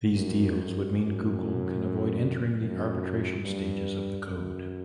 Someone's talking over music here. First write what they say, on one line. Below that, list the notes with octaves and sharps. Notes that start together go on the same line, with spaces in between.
These deals would mean Google can avoid entering the arbitration stages of the code.
F#2
F#2
F#2
G2
F#2